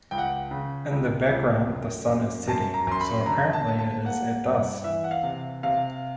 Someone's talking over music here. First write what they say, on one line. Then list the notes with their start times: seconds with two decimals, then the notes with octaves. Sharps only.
In the background the sun is setting, so apparently it is at dusk.
0.11 C#2 G5
0.18 F#5
0.26 G5
0.51 C#3
0.91 C#2
1.30 C#2
1.69 F#2
2.09 F#2
2.47 F#2 A5
2.74 A#5
2.87 F#2 C6
3.01 B5
3.26 D3 A#5
3.53 A5
3.66 A#3
3.79 A5
4.05 A#3 F#5
4.45 G2
4.84 E3 E5
5.04 F#5
5.11 F5
5.23 C3
5.63 C3 F5